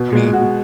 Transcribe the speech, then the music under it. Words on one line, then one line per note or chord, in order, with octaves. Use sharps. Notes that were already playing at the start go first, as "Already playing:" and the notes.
I mean
Already playing: B2
G#3
F#4